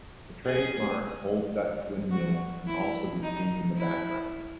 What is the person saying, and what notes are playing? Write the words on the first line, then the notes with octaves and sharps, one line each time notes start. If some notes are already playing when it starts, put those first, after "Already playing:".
The trademark Old Dutch windmill can also be seen in the background.
G#4
F#4
E4
D#4
E4